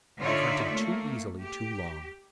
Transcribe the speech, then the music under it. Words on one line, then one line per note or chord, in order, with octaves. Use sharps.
I have hunted too easily too long.
D3 D#4 F4 C#5 D5 E5
A3 A#3
G4